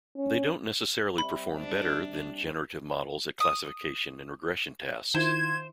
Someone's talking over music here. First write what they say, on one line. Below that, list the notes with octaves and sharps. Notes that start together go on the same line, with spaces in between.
They don't necessarily perform better than generative models at classification and regression tasks.
C#4
C3 G3 B5
D4
D#6
D#3 E4 F4 C5 G#6